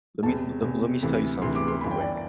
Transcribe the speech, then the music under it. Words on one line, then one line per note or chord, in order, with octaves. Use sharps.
Let me le let me s tell you something real quick,
E1 E2 C3 A5
E1 E2 C3
D2 C3 E3
D2 C3 E3 C6
D6
C6
G1 F#2 E3 B5
G5
D5